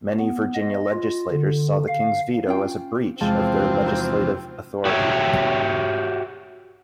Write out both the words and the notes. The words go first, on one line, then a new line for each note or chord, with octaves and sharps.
Many Virginia legislators saw the king's veto as a breach of their legislative authority.
B3
D#5
F4
D3
F5
C#4 F4 G5
E2 C3 F3 G#3 C4 F5 A5
D#4 F#4 C5
F#4 G4 C#5 D#5 E5